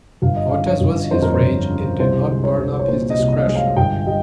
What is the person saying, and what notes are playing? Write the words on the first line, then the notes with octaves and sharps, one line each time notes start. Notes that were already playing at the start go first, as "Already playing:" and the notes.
Hot as was his rage, it did not burn up his discretion.
G1 F5
D#5
C#3 F5
C#5
G1
F2 C5
A#4
C5
G1
C#3
C2 C5
G#3
C#5
C2
C#5
A#2 C5
D#5
C2
D#5
G#3 D#5
F5
G1 G5
G3 D#5